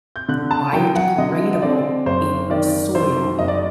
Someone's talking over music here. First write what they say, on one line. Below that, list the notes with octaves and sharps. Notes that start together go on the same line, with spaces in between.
biodegradable in soil,
G6
D3 F#6
A5
F#3 G5
F#5
D3 D#5
D#5
C4 D5
F#1 C5
D#3 D5
F#2 C5
F#1 D#5
D5